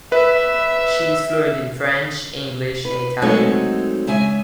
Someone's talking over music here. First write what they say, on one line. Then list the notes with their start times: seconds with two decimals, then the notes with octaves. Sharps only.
She is fluent in French, English, and Italian.
0.12 B4 E5
2.85 B4
3.22 F#3 G#3 A3 C4 D#4 C#5
4.07 C#3 G#3 E5 G#5